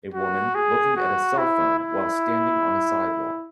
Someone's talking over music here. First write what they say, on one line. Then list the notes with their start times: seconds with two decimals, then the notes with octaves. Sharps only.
A woman looking at a cellphone while standing on a sidewalk.
0.14 F#4
0.55 G#4
0.97 F#4
1.38 E4
1.78 E4